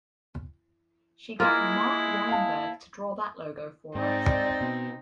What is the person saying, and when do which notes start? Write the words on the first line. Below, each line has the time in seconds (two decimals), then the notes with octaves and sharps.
She got Mark Weinberg to draw that logo for us.
1.40 G#3 A#3 E4 F4
2.29 F5 A5
3.95 G#2 C4 D#4 D5
4.61 B2